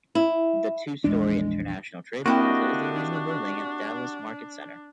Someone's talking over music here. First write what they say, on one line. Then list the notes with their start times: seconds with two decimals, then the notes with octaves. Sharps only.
The two-story International Trade Plaza is the original building at Dallas Market Center.
0.15 E4
1.04 A#1 E2 G#3 D4
2.26 A#3 C4 D4 E4 F#4 G4 D#5 G5